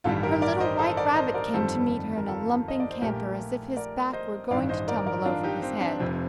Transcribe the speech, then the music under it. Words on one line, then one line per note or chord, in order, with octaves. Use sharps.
Her little white rabbit came to meet her in a lumping canter as if his back were going to tumble over his head.
A1 G2 D#3 G3 F4 A4
G4 A#4
A#4 D5
C5 D#5
A4 C5
A#4 D5
C5 D#5
A#4 D5
G1 F2 D#3 G3 A4 C5
A#4
F4 A4
D#5
D5
C5
A#1 A#2 A3 G4 A#4
A#4 D5
C5 D#5
A1 G2 D#3 D5 F5
C5 D#5
A#4 D5
A#4 D5
D4 F4
D#4 G4
C4
D4
F1 F2 C3 C4